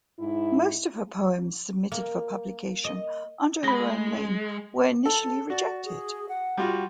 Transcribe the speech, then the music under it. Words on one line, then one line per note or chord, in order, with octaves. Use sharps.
Most of her poems submitted for publication under her own name were initially rejected.
G#2 E4
A#3
D#5
G#3 B5 A#6
A4 A5
F#4 D5
G#4
F#5
G3 F4 F#4